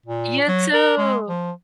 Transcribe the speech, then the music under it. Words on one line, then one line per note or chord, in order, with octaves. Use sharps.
You too.
A#2
F#3
A#4
G#3
F3